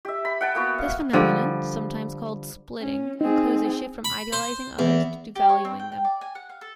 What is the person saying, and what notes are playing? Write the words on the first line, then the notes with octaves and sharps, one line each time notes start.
This phenomenon, sometimes called splitting, includes a shift from idealizing others to devaluing them.
G4 E5
B5
F#5 G5 A5
A#3 B3 F#4
F5
D3 F3 G3
C#4
C4 D#4 G#4
B5
C5
E2
G4
C#5
C4
G5
G5
D5
G#5
F#5
F5
A4